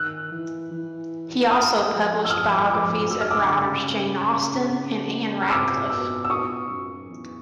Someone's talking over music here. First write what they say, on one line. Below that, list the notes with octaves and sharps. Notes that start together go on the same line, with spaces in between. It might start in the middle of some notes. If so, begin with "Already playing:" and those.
He also published biographies of writers Jane Austen and Ann Radcliffe.
Already playing: D#3 E6 F#6
E3
E3
D#6 F6
F3
E6
F3 D#6 F6
F3 D6 E6
F#3 E6
F6
D6 E6
D3
C#3
F6
C3 D6 E6
B2 D6 E6
E6
B2 C#6 D#6
F#2
E2